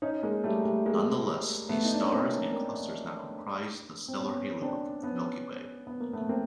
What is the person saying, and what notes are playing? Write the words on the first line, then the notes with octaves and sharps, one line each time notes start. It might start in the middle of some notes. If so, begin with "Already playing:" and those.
Nonetheless, these stars and clusters now comprise the stellar halo of the Milky Way.
C#4 D#4
G#3 A#3
G3 A3
G3 A3
G#3 A#3
A3 B3
D#4
D4
C#4
A#3 C4
A#3 C4
C4
B3 C#4
C4 D4
B3 C#4
B3
A#3
A3 B3
A#3 C4